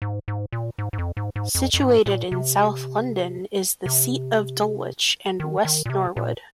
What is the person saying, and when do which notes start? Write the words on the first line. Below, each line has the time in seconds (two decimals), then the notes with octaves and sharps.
Situated in south London is the seat of Dulwich and West Norwood.
0.02 G#2
0.28 G#2
0.52 A#2
0.78 G#2
0.93 G#2
0.98 F2
1.17 G#2
1.36 G#2
1.55 F2
1.74 F2
1.81 G#2
2.06 A#2
2.32 C3
3.86 C3
5.40 D#3
5.65 D#3
5.86 A#2
5.90 C3
6.16 A#2